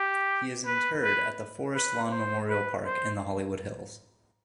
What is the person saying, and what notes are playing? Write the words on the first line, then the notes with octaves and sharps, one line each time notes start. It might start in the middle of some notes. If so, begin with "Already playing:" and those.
He is interred at the Forest Lawn Memorial Park in the Hollywood Hills.
Already playing: G4
B4
B4
B4
C5
B4
C5